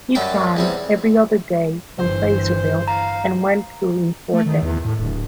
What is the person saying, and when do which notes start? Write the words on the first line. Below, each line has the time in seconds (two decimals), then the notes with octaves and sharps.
It ran every other day from Placerville and went through in four days.
0.15 F#2 F#3 G3 G5
0.57 E2 G3 C4
1.98 G1 E3 C5
2.88 F5 A#5
4.33 A3
4.46 D#3
4.63 E2
4.85 A2
5.00 D1